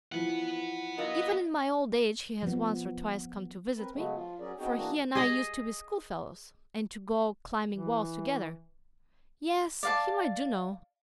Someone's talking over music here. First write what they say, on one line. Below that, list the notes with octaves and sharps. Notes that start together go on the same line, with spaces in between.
Even in my old age he has once or twice come to visit me, for he and I used to be schoolfellows, and to go climbing walls together. Yes, him I do know.
E3 F3 B4 F#5
F#3 F4 A#4 D#5
F3 B3
C4 A#4 B4
C#3 F#3 G#3 A3 B3
F3 F4
F#3 C#4 G#4 A#4 D5
B3 C4 D#4 F#4 G#4 G5
E3 A#3 D4 F#4 G#4 A#4
G#4 D#5
E3
D5 F5 A5